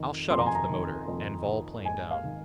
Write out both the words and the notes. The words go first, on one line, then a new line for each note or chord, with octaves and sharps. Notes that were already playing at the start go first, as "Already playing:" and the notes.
"I'll shut off the motor, and vol-plane down."
Already playing: F2 D#3
F2 C6
A#5
G#5
A#5
D#3
F2
D#3
G#2 G#5
F5
D#3